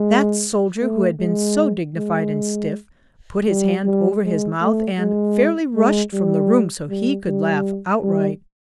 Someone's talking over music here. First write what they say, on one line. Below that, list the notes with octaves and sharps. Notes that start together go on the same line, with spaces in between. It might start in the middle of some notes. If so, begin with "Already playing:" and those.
That soldier, who had been so dignified and stiff, put his hand over his mouth and fairly rushed from the room so he could laugh outright.
Already playing: G#3
A3
G#3
G#3
G3
G3
G#3
A3
G#3
G#3
G3
G3
G3
G3